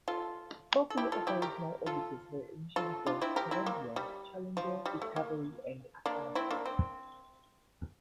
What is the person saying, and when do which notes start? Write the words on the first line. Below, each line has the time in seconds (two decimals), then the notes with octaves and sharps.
Four fully operational orbiters were initially built: "Columbia", "Challenger", "Discovery", and "Atlantis".
0.08 F4 A4
0.90 A4
0.97 E4 G4
1.12 F4 A4
1.27 E4 G4
1.42 G4 A#4
1.86 F4 A4
2.76 F4 A4
3.06 D4 F4
3.22 C4 E4
3.36 G4 A#4
3.51 C4 E4
3.66 A#3
3.96 G3
4.57 F3
4.86 G3
5.02 A3
5.16 A#3
6.06 A#3 D4
6.35 C4 E4
6.51 A#3 D4
6.66 C4